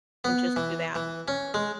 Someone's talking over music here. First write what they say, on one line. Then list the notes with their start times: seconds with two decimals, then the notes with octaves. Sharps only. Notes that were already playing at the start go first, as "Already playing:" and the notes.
And just do that.
0.24 B3
0.56 E3
0.95 E3
1.28 C#4
1.54 G#3